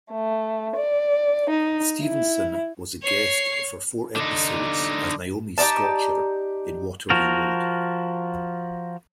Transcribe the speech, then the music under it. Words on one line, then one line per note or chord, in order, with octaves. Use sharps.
Stephenson was a guest for four episodes as Naomi Scotcher in "Waterloo Road".
A3
D5
D#4
E4
C#5 C7
D3 D#4
D#4 G4 D5 A5
F3 F#4 A#4